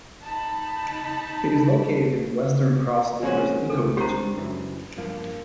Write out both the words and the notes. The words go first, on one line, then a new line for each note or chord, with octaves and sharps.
It is located in the Western Cross Timbers Ecoregion.
D#4 A5 B5
F3 G#3 C4 C#4 F#4
C2 C3 A4
G3 D4 G4 C5 A#5
F#1 F#2 E3
G2 F3 A#3